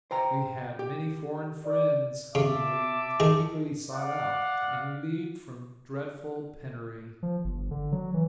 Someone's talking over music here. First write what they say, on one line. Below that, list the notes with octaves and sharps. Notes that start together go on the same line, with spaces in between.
We had many foreign friends whom we eagerly sought out, and relieved from dreadful penury.
C5 G5 A#5
G4
D5
C#3 E5 A5 D6
D#3 G#4
D5 F5 F#5
F3
G1
D3
F#3
E3